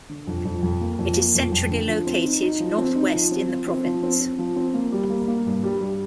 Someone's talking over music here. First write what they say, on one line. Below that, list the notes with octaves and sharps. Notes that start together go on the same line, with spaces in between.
It is centrally located north-west in the province.
D3
F2
F2
F2
A#3
F2
A#3
F2
F2
D3
F3
C4
D#4
D#4
F3
C4
D#4
F3
C4
F3
C4
F3
C4
C4
F3
C4
A#3
G3
A#3
A#3
G2
G3
G3